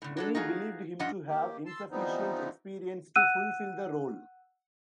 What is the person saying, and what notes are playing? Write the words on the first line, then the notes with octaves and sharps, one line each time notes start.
Many believed him to have insufficient experience to fulfill the role.
A2 D3
F#3 D4 A4
D#4 F4 F#4 G#4
G2 F3 D4 F4 D#5 F#5
D#3 A#3 G4
A5 C6 E6
E3 F3 G3 B3 C4 D#4
F#5 E6 F#6 D#7